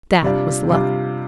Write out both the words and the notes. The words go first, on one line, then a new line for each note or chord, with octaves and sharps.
That was luck.
C3 G3 D4 F4
C3 G3 D4 F4